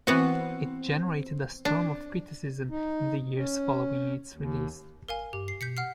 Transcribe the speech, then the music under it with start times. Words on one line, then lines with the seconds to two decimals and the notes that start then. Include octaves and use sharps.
It "generated a storm of criticism in the years following its release".
0.07 E3 B3 C4 F#4
1.65 D4
2.70 D#4
3.35 C#4
4.32 D#2
5.09 G#1 A#4 F5 G#5
5.33 G2 G4
5.48 C7
5.61 B2 G6 B6 C#7
5.77 F#5 F6 C7